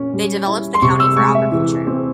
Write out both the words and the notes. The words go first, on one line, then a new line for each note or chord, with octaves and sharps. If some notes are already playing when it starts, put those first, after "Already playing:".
They developed the county for agriculture.
Already playing: A#2 C#4
G3
E4
C6
C3 C#6
E6
G#3 C#6
E5
E3
C4